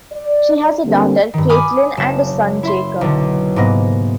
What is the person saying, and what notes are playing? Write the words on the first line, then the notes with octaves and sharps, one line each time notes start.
She has a daughter, Katelin, and a son, Jacob.
D5
D3 G3 A#3 C4
G2 D#3
G#5 B5 D6 D#6 F6
F#1 E7
E4 E5 C6
B1 D3
G#2 C3 A#3 B3 A#6